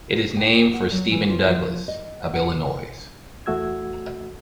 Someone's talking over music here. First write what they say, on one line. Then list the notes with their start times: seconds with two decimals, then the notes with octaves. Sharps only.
It is named for Stephen Douglas, of Illinois.
0.37 G5
0.74 F#5
0.92 F#3
1.11 E3
1.30 F4
1.46 F3
1.88 D#5
2.34 F#5
3.46 E2 A3 F#4 E6 G#6